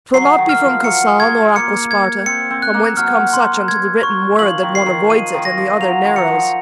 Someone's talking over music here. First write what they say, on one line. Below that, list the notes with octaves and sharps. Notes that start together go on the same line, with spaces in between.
'Twill not be from Casal nor Acquasparta, From whence come such unto the written word That one avoids it, and the other narrows.
F#3 C7
D#3
F6
F3
F#3 C#7
G#3 G#6
A#3 C#7
G#6
C4 C#7
C4
F#6
A#3
F#3 F6
C6
G#6
C#6
F3 F#7
D#3
C7
D#3
F3 D#7
D#3
A#6
F3
F#3 F7
D#3
F#3 C#7
F3